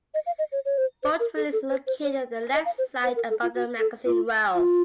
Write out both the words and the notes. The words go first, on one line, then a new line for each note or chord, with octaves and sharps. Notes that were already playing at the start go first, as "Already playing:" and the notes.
Bolt release is located on the left side above the magazine well.
D#5
F5
D#5
C#5
C#5
C5
C5
A#4
A4
A4
C5
C5
C#5
D#5
F5
C5
C5
A#4
A4
F4
F#4
A4
F4
F4